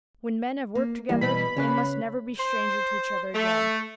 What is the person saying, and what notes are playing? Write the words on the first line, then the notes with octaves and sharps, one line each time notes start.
When men have worked together, they must never be stranger to each other again.
A#3
E3 G3 A#3
B2 B5
C#3 C#4 C#5 F5 F#6
C5
A3